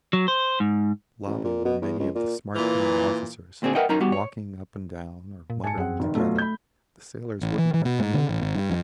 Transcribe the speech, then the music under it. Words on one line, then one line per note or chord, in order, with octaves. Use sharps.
In the lobby were many of the smart young officers, walking up and down or muttering together; the sailors wouldn't let them leave....
F#3
C5
G#2
A1
A#2
B2
E2
C#2
A#2
A#2 E3
D2 A#2 C4 D4 G#4
A#4 B4 D#5 E5 F#5 G5
F#2 C#4 D#4 A#4 A#5
G3 B3 F#4 G4
C#5
A#2
G#2 G#5 A5 C#7
F#2 C4 G#4 F#5
F1 D#3
B2 F#3 A3 F4
B5 G6
A1
E3
E3
B2
G#2
D3
A1
G#1
G2
F2